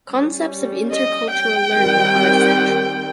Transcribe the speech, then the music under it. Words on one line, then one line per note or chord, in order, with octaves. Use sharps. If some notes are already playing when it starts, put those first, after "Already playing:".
Concepts of intercultural learning are essential.
G3 C#4
D#5
G5
D#3 G3 C4